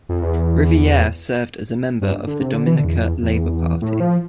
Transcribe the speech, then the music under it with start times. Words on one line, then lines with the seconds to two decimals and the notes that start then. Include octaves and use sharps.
Riviere served as a member of the Dominica Labour Party.
0.09 F2
0.22 E2
2.01 G2
2.27 D3
2.40 C3
2.53 D3
2.66 E3
2.76 D3
2.85 E2
2.95 F2
3.04 E2
3.22 E2
3.82 A2
4.00 F3